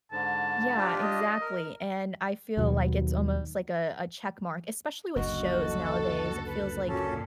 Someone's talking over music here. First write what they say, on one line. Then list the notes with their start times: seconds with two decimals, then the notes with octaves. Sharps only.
Yeah, exactly, and I feel like it's almost, like, a a check mark, especially with shows nowadays, it feels like
0.12 G#2 D3 A5
0.77 D4 F4 G4
1.02 D#5
1.41 A#4
2.57 D#2 B2 D#3 F#3
5.16 F#1 D2 F#4 D#5
5.56 A4
6.46 B4
6.88 A#2 C#4 F#4 A4